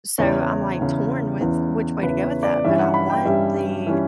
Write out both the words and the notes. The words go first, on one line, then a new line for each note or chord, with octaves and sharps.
so, I'm, like, torn with which way to go with that, but I want the
E2 C#3 E3 C#5
E2 C#3 E3
E2 C#3 E3
E2 C#3 E3 B4
C#5
D5
G2 E3 G3 C#4 E5
F#5
B5
G5
G2 E3 G3 C#4 E5
E3 G3 C#4